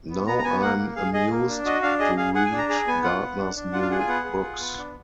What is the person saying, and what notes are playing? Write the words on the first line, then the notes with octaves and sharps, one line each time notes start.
Now I'm amused to read Gardner's new books.
B3
B3 A#5
A#5
B3 G#5
A#3 F#5
A#3
G#4 F5
G#4 D#5
A#3
D4
F#4 D#5
D4 F5
G#4 D#5
G#4 F5
G#4 F#5
G#5
D4
A#5
G#4 A#5
B3 G#5
F4 F#5
B3
D4
D4
F4 F#5
F5
G#4 F#5
G#5
B3 F#5
G#4
F4
B3
D4